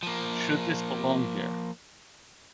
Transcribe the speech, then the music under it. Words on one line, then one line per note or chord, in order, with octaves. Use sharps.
"Should this belong here?"
F3 A#3